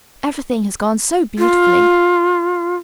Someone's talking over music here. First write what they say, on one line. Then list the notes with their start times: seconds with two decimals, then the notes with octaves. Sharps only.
Everything has gone so beautifully.
1.38 F4